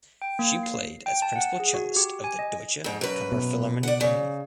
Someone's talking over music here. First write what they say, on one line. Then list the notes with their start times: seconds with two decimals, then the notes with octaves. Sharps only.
She played as principal cellist of the Deutsche Kammerphilharmonie Bremen.
0.22 G5
0.39 A#3
0.63 C7
1.06 G5
1.22 A5
1.36 F#5
1.60 G#4
1.74 F#4
1.96 G4
2.24 G#5
2.39 D#5
2.84 F2 G#2
3.01 F#2 B4
3.32 B2
3.83 D5 F#5
4.01 C#3